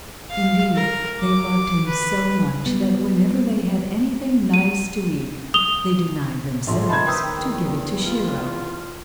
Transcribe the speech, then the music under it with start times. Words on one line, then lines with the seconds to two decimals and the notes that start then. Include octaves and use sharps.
Indeed, they loved him so much that whenever they had anything nice to eat they denied themselves to give it to Shiro.
0.31 F5
0.75 A#4
1.20 D6
1.87 B4
2.66 G3 B3
4.54 D#7
5.54 D#6 F7 G7
6.67 A#1 D3 E5 C6
6.89 D#3 A#3 D#4 A5 B5 G#6
7.07 B4 C5 G5 D#6 E6
7.31 E2
8.03 F4